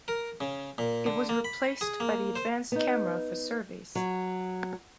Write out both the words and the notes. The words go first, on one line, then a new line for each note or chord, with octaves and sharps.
It was replaced by the Advanced Camera for Surveys.
A#4
C#3
A#2
D3
A#3
B5
G#4
A#3
C5
B3 D#4
F#3